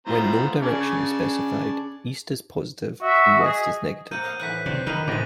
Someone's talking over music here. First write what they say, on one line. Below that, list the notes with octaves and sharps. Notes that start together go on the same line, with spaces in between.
When no direction is specified, east is positive and west is negative.
A2 B3 E4 F4 C5 A#5
C#4 G#4 D5 G#5 A5
F#4 E5
G#4 D#5
A#3 C4 F#5 G6 D#7
D#5 F5 F#5
A2 E3 F#5 F#6 B6
C3 D5
D#3 D#4 B4 F5 D#7
A2 C3 F3 G#3 D6